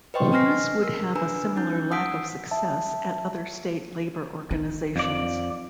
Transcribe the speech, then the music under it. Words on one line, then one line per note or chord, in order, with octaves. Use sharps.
Hughes would have a similar lack of success at other state Labor organisations.
B4 C5 D#5 G5 C6 C#6
D4 D#5 G#5 F6 A#6 C7
A#4 E6
D4 B4 G#5 A#5 E6
C#4 D#4 G6
F#5 D#6 E6 B6 D7
E5 A5
D#4
F2 D5